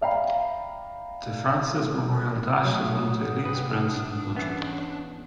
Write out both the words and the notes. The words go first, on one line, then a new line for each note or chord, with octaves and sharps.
De Francis Memorial Dash is one of the elite sprints in the country.
D5 E5 F5 G5 A#5 B5
F#3 A3 F#5 G#5 D#6
G2 C3 B4
D4
E2 E3 B3 C#4